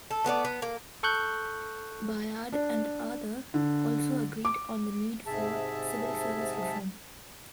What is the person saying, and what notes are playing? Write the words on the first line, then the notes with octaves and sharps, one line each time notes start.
Bayard and Arthur also agreed on the need for civil service reform.
A4
A3 B3 A4 D5
B3
A#3
A4 C#6 F#6 G6
D4
D3
D6
G#2 C3 G#4 E5 A5